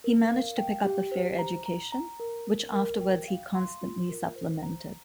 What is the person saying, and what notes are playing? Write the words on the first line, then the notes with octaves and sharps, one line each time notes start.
He managed to pick up a fair education, which afterwards he constantly supplemented.
A#4
F5
G5
G4
C5
A#5
A#5
A#5
A#4
A#4
A#4
G5
F5
C6
F4
A#4
C5
A#5